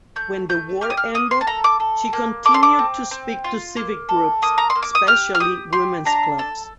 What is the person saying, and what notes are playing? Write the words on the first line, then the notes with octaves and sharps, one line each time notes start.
When the war ended, she continued to speak to civic groups, especially women's clubs.
A3 G6
A3 G6
G4 F6
D#6
F6
A#3 D#6
C6
A5
A4 A#5
D6
A4
A#3
A4 D6
C6
D6
C4
C4
F4
A#3
A4
A#3 D#6
A#5
C6
A#3
D6
D#6
G4 F6
F6
G4 D#6
G4 C6
D4 A#5
A4 A5